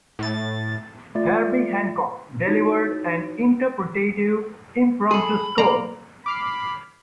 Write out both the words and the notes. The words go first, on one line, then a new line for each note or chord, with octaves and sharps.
Herbie Hancock delivered an interpretative impromptu score.
A2 A6
A3 F4 D5 A6
D#4 E4 F#4 C#5
G#4 A4 B5
B1 A#3 D5 A#5
B5 D6 F6 C7